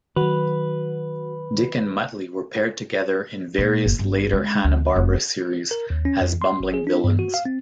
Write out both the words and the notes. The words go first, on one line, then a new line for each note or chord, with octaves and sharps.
Dick and Muttley were paired together in various later Hanna-Barbera series as bumbling villains.
D#3 F#3 F#4 B4
A#2
F#1
G1
G#3
D2
F1
A#4
D#2
C#4
F2
C6
G1
G#4
D4
G2
F#4
F5
C4